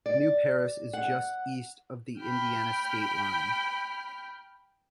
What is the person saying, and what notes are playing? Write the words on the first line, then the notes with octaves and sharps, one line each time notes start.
New Paris is just east of the Indiana state line.
D5
F#5
G5 B5 F6